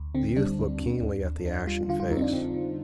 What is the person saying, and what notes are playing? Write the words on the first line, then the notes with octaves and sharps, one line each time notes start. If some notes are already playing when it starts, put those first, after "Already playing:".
The youth looked keenly at the ashen face.
Already playing: D2
D3 C4
G3 D4
D2
D2
D#2
D#2
D#2 D4
G3 F4
D3 F4
F4
F2 D#4
C4
D4
D3 C4
D3